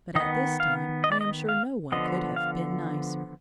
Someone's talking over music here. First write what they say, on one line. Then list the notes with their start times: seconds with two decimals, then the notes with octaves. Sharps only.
But at this time I am sure no one could have been nicer.
0.15 D#3 B3 D#5
0.60 F5
1.04 D#5
1.12 D5
1.21 D#5
1.49 F5
1.92 D3 F3 B3 D#5
2.36 F5